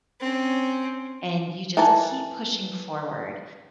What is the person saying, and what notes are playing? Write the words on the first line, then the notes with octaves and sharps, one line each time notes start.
and you just keep pushing forward,
C4 C#4
E3 A4 A#4 G#5 A5